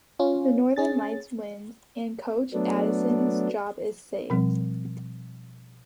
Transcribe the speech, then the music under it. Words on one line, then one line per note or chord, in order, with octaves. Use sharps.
The Northern Lights win and coach Addison's job is saved.
C#4 F4
C#4 G#4 A6
F#3 A3 B3 D4
B2 F3 G3 C4